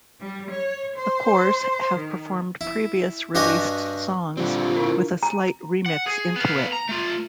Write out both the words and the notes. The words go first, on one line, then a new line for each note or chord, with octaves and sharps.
The Corrs have performed previous released songs with a slight remix into it.
G3
C#5
C5
D#3
E4
G2 F#4 G4 D#5 G#5 D#6
D3 G3 C4 F4
D4 E4 A#4
A#5
F#5
G#4
B3 F5
A#5
A3 F4